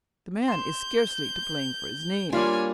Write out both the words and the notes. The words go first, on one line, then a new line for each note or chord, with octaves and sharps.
The man is scarcely to blame for his name.'
C6 G6 E7
G3 A#3 D4 F4 C#5 G#5